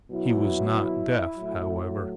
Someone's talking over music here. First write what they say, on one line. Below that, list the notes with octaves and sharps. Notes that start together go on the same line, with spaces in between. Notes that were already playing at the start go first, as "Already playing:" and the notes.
He was not deaf however.
B2 F#3 E4
A2 F#3